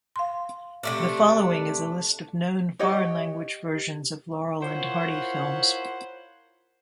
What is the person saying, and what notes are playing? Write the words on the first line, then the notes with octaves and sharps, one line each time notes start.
The following is a list of known foreign-language versions of Laurel and Hardy films.
F5 C6
C3 A3 D4
G4 C#5 D#5 F#5
E4 F4 A#4 C5 C#5 F#5